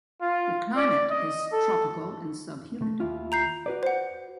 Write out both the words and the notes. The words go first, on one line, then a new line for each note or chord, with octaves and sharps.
The climate is tropical and subhumid.
F4
D5
D#5
A4
A3
D#2 E4 F4
A#5 G6 C7
F#4 B4 D5
C5 F#5